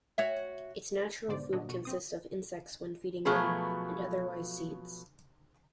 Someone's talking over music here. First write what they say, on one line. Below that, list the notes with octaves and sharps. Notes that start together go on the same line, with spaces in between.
Its natural food consists of insects when feeding young, and otherwise seeds.
F#4 C#5 E5
G#1 G#2 B2 D3 C5 D5
G1 A#2 F#3 D4 D#5
B2 C#6
A#1 C4 D#6
B2 F3 F#3 A3 G#4 B4